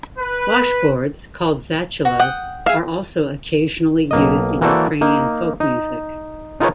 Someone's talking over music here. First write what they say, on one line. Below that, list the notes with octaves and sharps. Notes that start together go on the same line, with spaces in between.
Washboards, called "zatulas", are also occasionally used in Ukrainian folk music.
B4
F#4
F#5 G5 D#6
G#4 E5 F5
B1 A#3 D#5
E3 A#3 F#4 A4 C5 D5
A#3 D#4
D#4
D#4 F4 G#4 A#4 B4 C#5